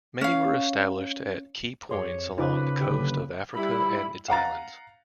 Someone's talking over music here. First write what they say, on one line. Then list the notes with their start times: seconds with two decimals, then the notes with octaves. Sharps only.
Many were established at key points along the coast of Africa and its islands.
0.21 C#4 F5
1.89 F2 G#4 C#5 C6 D6
2.38 C#3 D#4 F4 B4 C5 D6 F#6
2.81 F#1 D3 G4
3.52 G3 E4 B5
4.28 F5 F#5 A#5 A6